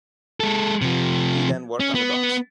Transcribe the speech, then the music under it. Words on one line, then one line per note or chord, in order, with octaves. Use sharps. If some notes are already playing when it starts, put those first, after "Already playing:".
He then worked on the docks.
G#3 A4
C3 F3
C#4
B3